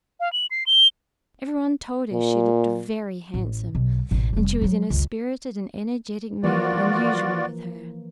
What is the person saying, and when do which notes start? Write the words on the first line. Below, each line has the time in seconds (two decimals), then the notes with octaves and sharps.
Everyone told her she looked very handsome, and she was in a spirited and energetic mood unusual with her.
0.20 F5
0.33 F#7
0.51 C7
0.67 G7
2.13 A#2
3.34 A1
3.75 B1
4.11 E1 A1
4.33 F1 G3
4.61 F3 F#3
4.90 F#1 C#2
6.43 E3 F3 A#3 F4 F#4 D5